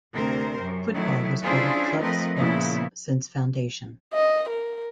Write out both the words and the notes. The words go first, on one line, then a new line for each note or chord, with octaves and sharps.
Football was part of clubs sports since foundation.
D2 C3 A#4 C5
F#2
D#3 F#3 A3 E4
C#4 D4 E4 F4 G#4 C5
F3 A3 C4 A#4 B4 D#5
A#2 C#3 F3 B3 E4
D#5
A#4